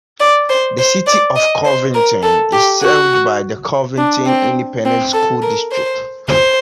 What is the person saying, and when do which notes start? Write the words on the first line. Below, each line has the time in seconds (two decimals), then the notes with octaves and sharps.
The City of Covington is served by the Covington Independent School District.
0.20 D5
0.49 C5
0.79 C5
1.07 D5
1.36 D#5
1.65 C5
1.95 A#4
2.23 A4
2.52 G4
2.82 F#4
3.98 D4
4.26 C4
4.85 C4
5.14 A4
5.43 A#4
5.72 C5
6.30 C5